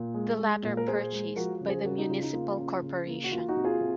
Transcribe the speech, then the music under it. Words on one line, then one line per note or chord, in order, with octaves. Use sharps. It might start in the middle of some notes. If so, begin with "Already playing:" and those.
The latter purchased by the Municipal Corporation.
Already playing: A#2
G#3
G#3
A#2
A#4
A#2 G#4 C5
G#3
F3 F#4 A#4
C#3
G#4 C5
C#3 F#4 A#4
D#4 F#4
C#3 F4
D#4
A#3 F4
C#3
C#3
A#3
F#4
A#3 F4
D#4 F#4
C3
F4 G#4
C3